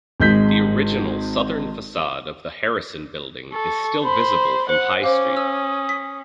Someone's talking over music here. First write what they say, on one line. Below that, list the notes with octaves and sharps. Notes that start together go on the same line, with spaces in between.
The original southern facade of the Harrison Building is still visible from High Street.
G#1 G#3 G6 B6
A4 C#6
C5 B5
C5 F#5
C#4 C5 F5 D6
D#6 E6
B6